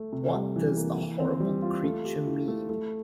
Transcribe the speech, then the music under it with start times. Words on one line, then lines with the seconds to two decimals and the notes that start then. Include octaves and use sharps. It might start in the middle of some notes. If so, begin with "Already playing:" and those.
What does the horrible creature mean?
Already playing: A3
0.13 C3
0.34 G3
0.56 E3
0.77 A#3
0.98 E3
1.20 C4
1.40 G3
1.62 F4
1.84 A3
2.05 G4
2.27 E4
2.48 A3
2.69 A3